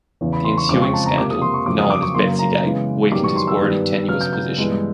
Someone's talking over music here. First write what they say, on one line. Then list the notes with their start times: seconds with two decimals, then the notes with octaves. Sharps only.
The ensuing scandal, known as "Betsygate", weakened his already tenuous position.
0.21 E2 C#3 E3
0.33 B5
0.45 C6
0.57 C#6
0.69 F2 C#3 F3 G#3 C4 D6
0.82 C#6
0.93 A5
1.06 A#5
1.17 F2 C3 F3 A#3 D6
1.30 D#6
1.42 C6
1.54 C#6
1.66 F2 C#3 F#3 A#3 D6
1.79 D#6
1.90 D6
2.02 C#6
2.15 F#2 C#3 F#3 A#3 C6
2.39 A#5
2.63 C#3 E3 G#3 B3
3.12 F#2 D#3 G3 B3 D6
3.24 C#6
3.36 C6
3.47 E6
3.60 G2 D#3 G3 B3
4.08 C#3 F#3 B3 F6
4.21 G6
4.33 G6
4.57 G2 E3 G#3 B3